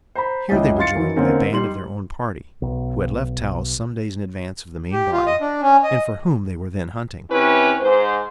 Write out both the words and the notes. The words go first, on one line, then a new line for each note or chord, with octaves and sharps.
Here they were joined by a band of their own party, who had left Taos some days in advance of the main body, and for whom they were then hunting.
C5 A#5 B5
C#2 E4 C#5 D#5 G#5
F5 C6 A6 C#7
D#3 E3 F#3
D3 A#3 C4 C#4 D#4
G3 D#4 C6 F#7
B1
G4
F4
D#5
D4
C#4
D#5
C3 C#4 E4 B4
G#2 C5